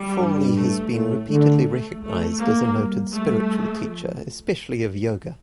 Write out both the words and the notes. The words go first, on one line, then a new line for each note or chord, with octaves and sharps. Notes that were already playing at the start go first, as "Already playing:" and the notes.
Frawley has been repeatedly recognized as a noted spiritual teacher, especially of Yoga.
Already playing: G3
G2
A3
A2 A3
D3 A3
A3
A3
A#3
G3
G3 A3
F3